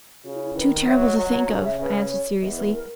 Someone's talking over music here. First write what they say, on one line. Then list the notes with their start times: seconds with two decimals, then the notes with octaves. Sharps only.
"Too terrible to think of," I answered seriously.
0.23 C#3 F#4
0.34 E4
0.45 E4
0.55 D#3 B4
0.86 F#3 E5
1.02 D#5
1.17 F#3 F#5
1.33 A#5
1.49 C#3
1.64 E5
1.79 C#3 B4
2.10 C#5
2.42 E2 D#5
2.58 B4
2.73 A#4